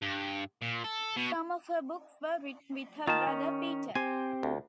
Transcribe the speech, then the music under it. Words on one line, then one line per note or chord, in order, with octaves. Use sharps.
Some of her books were written with her brother Peter.
G2
A#2
A4
B2
D#3 F4 A5
C#4
C4 G4 C5 G#5
D2